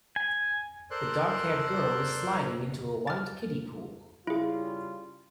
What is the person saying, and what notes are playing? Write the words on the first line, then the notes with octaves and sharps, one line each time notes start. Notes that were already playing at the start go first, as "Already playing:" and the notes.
The darkhaired girl is sliding into a white kiddie pool.
G#5
A4 A#4 C5 D5 C6 F#6
F6 A6
C#3 G3 E4 F4 G#4